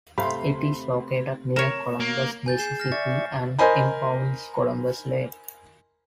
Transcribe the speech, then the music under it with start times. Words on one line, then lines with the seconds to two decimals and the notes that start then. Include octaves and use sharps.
It is located near Columbus, Mississippi, and impounds Columbus Lake.
0.18 C3 A3 F5 B5 C6
1.56 A#4 C#5 E7
2.00 A#3
2.46 G#5 G6 A6
2.59 G#4 G6 C7 E7
2.80 F6 A#6
2.92 D5 E5 C#6 A6
3.59 A#4 C5 D#5 G#5 B5